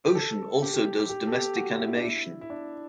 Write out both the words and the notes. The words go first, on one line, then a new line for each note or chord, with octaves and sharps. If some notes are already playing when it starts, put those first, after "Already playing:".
Ocean also does domestic animation.
G4
A4
G4
G4
G4
G4
A4
G4
F#4
E4
D4
E4
E4
D4